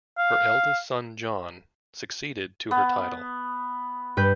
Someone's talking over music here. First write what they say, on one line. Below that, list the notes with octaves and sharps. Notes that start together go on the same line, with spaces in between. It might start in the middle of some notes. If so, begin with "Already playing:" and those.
Her eldest son, John, succeeded to her title.
F5
B3
G2 B4 G6